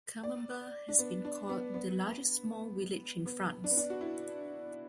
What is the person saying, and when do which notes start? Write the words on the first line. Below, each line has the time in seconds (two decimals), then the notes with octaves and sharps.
Camembert has been called The largest small village in France.
0.23 D5
0.88 D4
0.99 B3
1.25 D4
1.49 B3
1.74 B3
3.26 B3
3.64 D4
3.70 B3
3.77 D4
3.90 F#4
4.01 E4